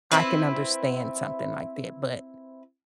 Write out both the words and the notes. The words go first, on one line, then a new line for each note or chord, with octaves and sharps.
I can understand something like that, but
C4 E4 B4